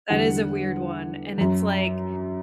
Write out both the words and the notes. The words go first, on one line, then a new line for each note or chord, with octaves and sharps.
That is a weird one, and it's like,
E2 D3 G3 F#5
F#2 F#3